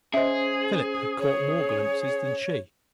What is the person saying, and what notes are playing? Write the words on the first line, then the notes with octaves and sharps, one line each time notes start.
Philip had caught more glimpses than she.
C#4 G#4 C5 D#5 E5
C#5